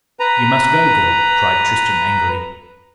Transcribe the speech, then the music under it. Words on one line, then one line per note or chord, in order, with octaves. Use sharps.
"You must go, girl," cried Tristram angrily.
B4 A#5